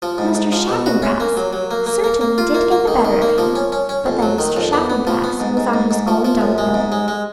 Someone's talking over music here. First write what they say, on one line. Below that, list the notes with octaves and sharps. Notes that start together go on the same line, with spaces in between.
Mr. Chaffanbrass certainly did get the better of him; but then Mr. Chaffanbrass was on his own dunghill.
F3
G#2
G#2
F3
B2
F#4
C#4
A#3
F#3
F#3
A#3
A#3
A#3
A#3
F4
A#3
A#3
D#3
D#3
A#3
F3
C#4
C#4
C#4
F2
F#3
D#3
F2
B3
B3
F3
B3
G#2
G#2
G#2
G#2
F3
F3
F#2
G#3
G#2
G#3
G#3